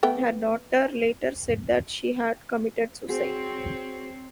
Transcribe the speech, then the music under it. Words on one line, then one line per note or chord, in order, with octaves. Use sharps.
Her daughter later said that she had committed suicide.
A3 B3 G5
C4 F#4 G#4 C#5